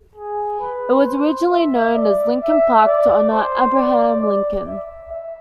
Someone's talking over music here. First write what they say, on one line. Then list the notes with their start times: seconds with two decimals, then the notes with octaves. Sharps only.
It was originally known as Lincoln Park to honor Abraham Lincoln.
0.15 G#4
0.60 B4
1.05 C5
1.51 E5
1.95 D5
2.41 E5
2.85 D5
3.30 C5
3.76 D5
4.20 D5
4.66 E5
5.11 E5